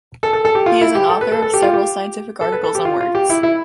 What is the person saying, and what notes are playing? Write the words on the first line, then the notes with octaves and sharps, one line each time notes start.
He is an author of several scientific articles and works.
A4
A4
A4
G4
F4
E4
G4
A4
B4
A4
A4
G4
F4
G4
A4
B4
A4
G4
F4
F4
G4
E4
E4